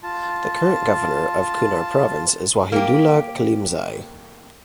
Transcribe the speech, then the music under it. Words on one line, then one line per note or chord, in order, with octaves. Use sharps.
The current governor of Kunar province is Wahidullah Kalimzai.
F4 A5
A#3 G4